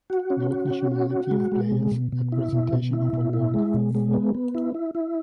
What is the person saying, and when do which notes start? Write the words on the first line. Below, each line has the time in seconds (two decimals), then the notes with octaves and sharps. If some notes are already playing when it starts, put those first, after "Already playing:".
Note nationality of players at presentation of award.
0.10 F#4
0.30 C#4
0.51 F#4
0.71 C#4
0.91 F#4
1.11 F#4
1.31 G#3
1.52 G#3
1.72 B2
1.91 B2
2.12 B2
2.32 E4
2.53 B2
2.73 B2
2.93 E4
3.13 B2
3.33 E4
3.54 G#3
3.74 B2
3.95 G#3
4.14 B3
4.35 B3
4.55 E4
4.74 E4
4.95 E4